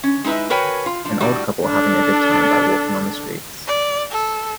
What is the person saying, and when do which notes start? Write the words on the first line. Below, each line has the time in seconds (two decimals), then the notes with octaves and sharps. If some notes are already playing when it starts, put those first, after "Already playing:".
An old couple having a good time by walking on the streets.
0.03 C#4
0.24 G#3 D#4 E4 B4 E5
0.50 F#4 A#4 B4 C#5 G5 G#5
0.86 F4
1.05 F3 D4
1.20 A2 G3 F#4 D5
1.64 D4 A4
3.67 D5
4.11 A4